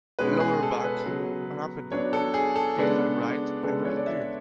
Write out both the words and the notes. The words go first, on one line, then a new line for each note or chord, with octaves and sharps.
Lower back, rump and upper tail are bright emerald green.
B2 G#3 C#4 B4
G#4
A4
B4
C#3 F#3 B3
F#3 B3 D4 C#5
A4
G#4
A4
C#3 G#3 B3 D4
C#3 G#3 B3 D4 A4
C#5
D5
E5